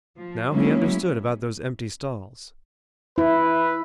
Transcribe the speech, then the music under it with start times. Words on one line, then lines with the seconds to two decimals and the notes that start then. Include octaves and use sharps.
Now he understood about those empty stalls.
0.19 F3
0.50 F#3 G#3 A#3 B3 C#4 E4
3.18 E4 B4